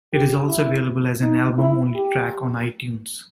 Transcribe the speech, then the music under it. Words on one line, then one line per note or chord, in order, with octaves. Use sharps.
It is also available as an album-only track on iTunes.
G4
E4
D#4
E4
G4